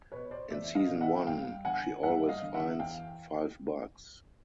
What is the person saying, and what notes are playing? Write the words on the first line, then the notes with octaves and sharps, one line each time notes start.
In season one, she always finds "five bucks".
B2 B4 C#5
C5 D5
E2 D5 E5
D#5 F5
B2
E5 F#5
G2 F5 G5
D3 F#5 G#5
G2 E5 F#5
D#5 F5
D3
E5 F#5
E2 F5 G5